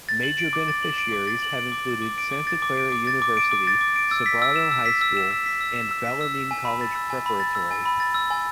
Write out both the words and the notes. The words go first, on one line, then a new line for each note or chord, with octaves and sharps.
Major beneficiaries have included Santa Clara University, Sobrato High School, and Bellarmine College Preparatory.
A6
F#7
D7
D6
A6
F#7
D7
D6
A6
F#7
D7
D6
A6
D6
D7
D6
A6
D6
D7
D6
A6
D6
D7
D6
A6
D6
D7
E6
B6
E6
E7
E6
B6
E6
E7
E6
B6
E6
E7
E6
B6
E6
E7
G#5
B5
A6
E6
G#5
B5
A6
E6
G#5
B5
A6
E6
G#5